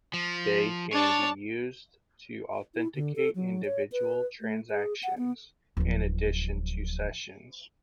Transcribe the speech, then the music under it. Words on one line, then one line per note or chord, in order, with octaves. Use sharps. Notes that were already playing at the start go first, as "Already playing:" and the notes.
They can be used to authenticate individual transactions in addition to sessions.
F3
D4 C#5 A5
E4
D3
A4
F#3
C#5
B4
A3
G#4
F#5
B3
D1 F3